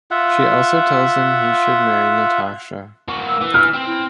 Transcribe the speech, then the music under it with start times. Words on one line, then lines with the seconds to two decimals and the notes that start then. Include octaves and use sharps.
She also tells him he should marry Natasha.
0.11 F4 E5 F#5
3.09 A#3 F#4
3.27 E6
3.41 E3
3.54 F6
3.73 C4
3.86 E4